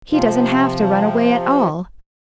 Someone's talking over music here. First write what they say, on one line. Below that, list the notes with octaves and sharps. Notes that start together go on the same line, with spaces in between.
He doesn't have to run away at all!
C3 F3